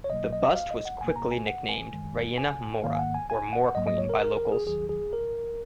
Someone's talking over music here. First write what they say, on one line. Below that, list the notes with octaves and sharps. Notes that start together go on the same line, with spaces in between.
The bust was quickly nicknamed "Reina Mora" or "Moor Queen" by locals.
C#5
B1 B2 F#3 A#3 D#5
D#5
F5
D#5
F#5
B1 B2 A#3 G#5
A#5
G#5
F#5
G#5
F#2 D#3 G#3
G#5
G#2 D#3 A#3 F5
G#5
F#5
G#5
G#5
F#5
A#1 G#2 F#3 A#3 D#5
D#5
C#5
A#4
A#4
A#4
G#4
D#2 D#3 F#3 G#4
G#4
A#4